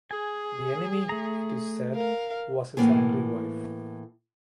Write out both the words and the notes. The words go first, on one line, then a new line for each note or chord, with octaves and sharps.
The enemy, it is said, was his angry wife.
G#4 G#5
A3 A#5
A#4 F5
A2 E3 A#3 B3 G#4